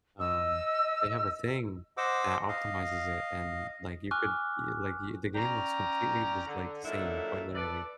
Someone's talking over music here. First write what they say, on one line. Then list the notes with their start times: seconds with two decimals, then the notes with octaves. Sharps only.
um, they have a thing that optimizes it, and, like, you could, y like, y the game looks completely just like, the same, quite literally,
0.20 D#5 E6
1.97 C5 D#5 F#5 D6 E6
2.49 D#5 F5
4.11 G#5 C#6 D6 F6 F#6
5.35 C#4 D5 G5 A#5
6.46 D3
6.84 A#2 D3 F#3 D#4 E4 A4
7.54 A4 B4 D5